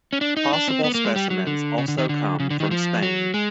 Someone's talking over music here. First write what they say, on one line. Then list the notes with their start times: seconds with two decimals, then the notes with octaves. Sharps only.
Possible specimens also come from Spain.
0.13 C#4
0.21 D4
0.37 D#4
0.53 D4
0.68 C4
0.84 B3
0.94 A#3
1.05 G#3
1.16 G3
1.30 F#3
1.47 D3
1.78 C#3
1.88 D3
1.98 D#3
2.09 D3
2.40 C#3
2.50 D3
2.60 D#3
2.71 F3
3.02 F#3
3.34 G#3